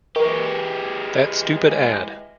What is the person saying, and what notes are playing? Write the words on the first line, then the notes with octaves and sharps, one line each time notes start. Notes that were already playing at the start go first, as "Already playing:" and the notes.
That stupid ad.
E3 G#3 G4 A#4 D#5 C#6